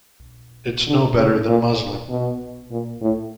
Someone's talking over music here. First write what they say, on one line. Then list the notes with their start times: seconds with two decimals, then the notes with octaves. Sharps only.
It’s no better than muslin.
0.87 D3
1.17 C#3
1.48 A#2
2.09 B2
2.71 A#2
3.01 A2